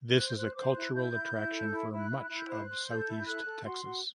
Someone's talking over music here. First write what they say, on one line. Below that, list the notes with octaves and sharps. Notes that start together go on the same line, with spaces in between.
This is a cultural attraction for much of Southeast Texas.
C5 F#6
G6
C5 F#6
C5 D6
E4 F#6
E4 G6
E4
E4
A4
E4
E4
F#6
E4
F#6
E4
G6
C5 F#6
C5
A4 G6
E4
A4 F#6
A4
F#4 C6
F#4